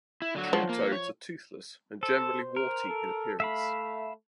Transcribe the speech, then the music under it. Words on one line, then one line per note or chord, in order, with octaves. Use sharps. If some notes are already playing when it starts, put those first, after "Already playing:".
True toads are toothless and generally warty in appearance.
E4
D3 F#3 F#4
F3
A#3
C#5
A4 C5
A#4
A4
A3 E5 F5 B5